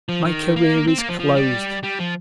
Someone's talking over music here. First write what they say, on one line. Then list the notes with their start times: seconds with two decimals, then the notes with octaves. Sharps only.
My career is closed.
0.09 F3
0.25 D#3
0.56 A#3
0.87 C4
0.98 A#3
1.09 F3
1.20 F3
1.35 G3
1.83 G3
1.99 F3